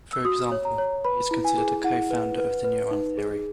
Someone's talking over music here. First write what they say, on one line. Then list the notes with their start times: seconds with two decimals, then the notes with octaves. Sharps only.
For example, he is considered a co-founder of the neuron theory.
0.13 E6
0.25 F#4 D#6
0.52 C#5
0.65 A#5
0.78 C#5
1.05 B4 B5
1.31 E4
1.44 G#5
1.58 G#4
1.84 E4 F#5
2.11 B4
2.38 B4
2.64 B4
2.91 D#4
3.18 G#4